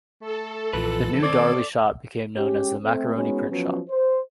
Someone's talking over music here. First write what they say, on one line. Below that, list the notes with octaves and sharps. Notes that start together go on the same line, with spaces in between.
The new Darly shop became known as "the Macaroni Print-Shop".
A3 A4
B1 F2 A#2 E3 F4 B4
D#3 C4 D5 G#6
G#3 C#4 G4
A3 C4
G#3 B3 C#4 D#4 F#4
F3 F#3 B3 C#4
C5